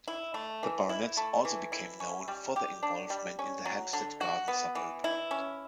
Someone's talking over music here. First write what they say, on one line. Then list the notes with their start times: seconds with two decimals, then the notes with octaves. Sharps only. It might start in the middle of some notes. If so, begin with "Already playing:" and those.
The Barnetts also became known for their involvement in the Hampstead Garden Suburb.
0.08 E4
0.34 A3
0.63 E3
0.89 E4
1.17 A3
1.45 E3
1.72 E4
2.00 C#4
2.28 G3
2.56 G4
2.83 D4
3.10 G3
3.39 C#4
3.65 F#3
3.93 D3
4.21 F#4
4.48 B3
4.75 E3
5.04 E4
5.31 C#4